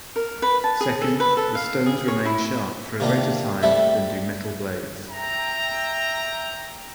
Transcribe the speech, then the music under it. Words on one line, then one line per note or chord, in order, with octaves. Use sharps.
Second, the stones remain sharp for a greater time than do metal blades.
A#4
B4
A5
G#4
A4
B4
A4
F5
G#4
C#5
E4
C3 D#3 A#3 D4 F4
G3 A3 C4 E4 C5 E5
E5 G5 A#5